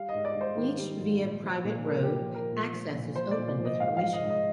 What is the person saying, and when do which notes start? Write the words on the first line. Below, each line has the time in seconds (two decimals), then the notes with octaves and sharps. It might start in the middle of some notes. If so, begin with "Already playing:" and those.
Reached via private road, access is open with permission.
Already playing: G3 F5
0.09 D#5
0.14 G#2
0.25 D5
0.35 G#2
0.41 C5
0.57 D#3
0.79 G3
1.00 G#2
1.21 A#2
1.43 F3
1.64 A#2
1.86 F3 A#4
2.03 G4
2.08 A#2
2.29 F3 A#4
2.51 A#2
2.73 F3
2.94 A#2
3.15 F3 C5
3.31 D5
3.38 A#2
3.48 D5
3.59 F3
3.65 D#5
3.80 G#2 F5
3.97 F5
4.02 F3
4.13 D#5
4.23 G#2
4.30 D#5